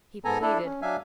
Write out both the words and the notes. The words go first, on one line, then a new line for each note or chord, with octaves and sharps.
He pleaded.
G#2 B3 A4 G#5 A#5
D4 E4 A4
C#4
F#3 D4 E5 F5 G#5